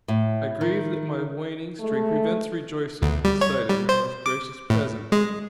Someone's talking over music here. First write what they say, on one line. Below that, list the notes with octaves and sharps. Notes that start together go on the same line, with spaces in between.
I grieve that my waning strength prevents rejoicing in the sight of your most gracious presence.
A2
D#3
G#3 A3
D2
G3
C#5
G3
C5
D6
A2
G#3